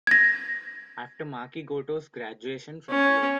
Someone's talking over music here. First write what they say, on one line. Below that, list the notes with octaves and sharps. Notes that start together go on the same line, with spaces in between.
After Maki Goto's graduation from Hello!
G#6 A#6
C#4